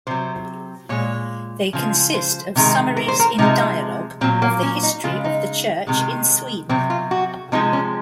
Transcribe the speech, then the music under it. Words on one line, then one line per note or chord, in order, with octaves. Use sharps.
They consist of summaries in dialogue of the history of the church in Sweden.
C3 F#3 C5
A#2 G#3 C#5
C#3 F3 G#3
C5
C3 D#3 G#3
A#4
C5
A#4
C3 F3 G#3 D#4
A#2 F#3 C4
A#3
C#4
D#4
C#3 G#3 F4
D#4
C3 D#3 G#3
C3 F#3 C4
F4
F#4
C3 F3 G#3 D#4
C#4